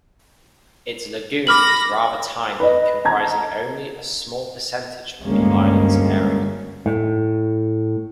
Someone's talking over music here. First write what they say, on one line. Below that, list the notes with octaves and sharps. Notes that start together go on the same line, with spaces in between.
Its lagoon is rather tiny, comprising only a small percentage of the island's area.
B5 D6 F6 A#6 F#7
B4 D#5
A5 A#5 G#6
D2 G2 G#3 A#3 C#4
A2